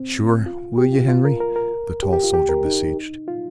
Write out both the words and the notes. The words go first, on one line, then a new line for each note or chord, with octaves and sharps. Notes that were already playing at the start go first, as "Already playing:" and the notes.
"Sure--will yeh, Henry?" the tall soldier beseeched.
Already playing: C4
F4
G4
F4
F4
A#4
A#4
A#4
G4
G4
F4
G4
A#4
D#4
F4